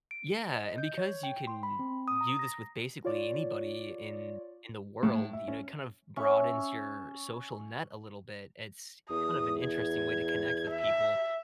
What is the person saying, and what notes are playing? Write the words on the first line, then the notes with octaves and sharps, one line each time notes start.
Yeah, and because you can do this with basically anybody in in the world, you know, it kind of broadens your social net a little bit; it's kind of an interesting way to connect with people.
D7
D#5
G6
C#5
G5
C6
B5
C4
D#6
A#5
A#6
F4 C#5 D5
A2
E5
C#4
C#4 E5 C#6
E2 D#6
G#6
E5